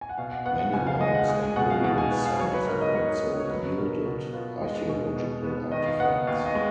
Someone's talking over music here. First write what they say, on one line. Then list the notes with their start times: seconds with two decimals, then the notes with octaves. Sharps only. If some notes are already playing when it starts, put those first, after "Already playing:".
Many mounds and burial sites have also yielded archaeological artifacts.
0.01 G#5
0.09 F#5
0.18 B2 F5
0.32 F#5
0.46 B3 F#5
0.60 F#5
0.73 C#2 G#5
0.87 F5
1.01 G#3 D#5
1.15 F#5
1.28 G#3 G#5
1.43 G#5
1.56 B2 F#5
1.70 F5
1.84 B2 F#5
1.98 G#5
2.11 B3
2.26 F5
2.39 F#3 C#5
2.53 B4
2.67 G#2 A#4
2.81 D#5
2.95 G#2 C#5
3.22 B3
3.40 C#5
3.50 F#3 B4
3.78 B2 A#4
4.05 B2 F#4
4.33 B3 F4
4.61 G#3 D#5
4.89 B2
5.16 B2
5.44 B3
5.72 D#3 D#5
5.86 F5
5.99 B3 F#5
6.27 D#2 F5
6.46 D#5
6.55 G#3